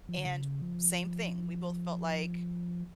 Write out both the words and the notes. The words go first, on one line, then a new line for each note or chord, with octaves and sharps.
And same thing, we both felt like
F3
D3
C#3
F3